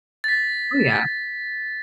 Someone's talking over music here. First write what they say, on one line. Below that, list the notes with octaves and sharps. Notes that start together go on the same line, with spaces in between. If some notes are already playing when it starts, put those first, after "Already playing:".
Oh yeah.
A6 B6